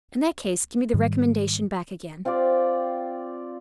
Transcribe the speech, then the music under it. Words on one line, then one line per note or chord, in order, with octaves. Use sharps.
"In that case give me the recommendation back again."
G#2 D#3 G3
C4 F4 G4 D5